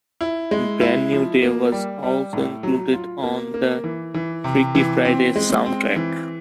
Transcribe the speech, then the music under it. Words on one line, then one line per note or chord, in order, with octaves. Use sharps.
"Brand New Day" was also included on the "Freaky Friday" soundtrack.
E4
G#3
E4
F3
A#3
G3
G3
A2
F#3
F4
A#3
A#3
E3
E3
C3
E3
C4
G#3
C4
E3